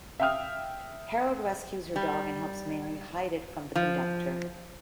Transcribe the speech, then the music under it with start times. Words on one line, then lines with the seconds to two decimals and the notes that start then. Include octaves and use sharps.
Harold rescues her dog and helps Mary hide it from the conductor.
0.20 E5 F5 G5 D#6 F6
1.96 G3
3.75 F3